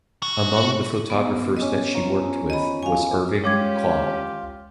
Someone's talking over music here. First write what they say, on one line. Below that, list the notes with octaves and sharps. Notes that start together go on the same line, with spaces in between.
Among the photographers that she worked with was Irving Klaw.
F#4
B3
C#4 D#5 D6
F3 A#5 C#6
D#5 B5
F5 G#5 C#6
G#3 C#4 F4 G4 D6 G#6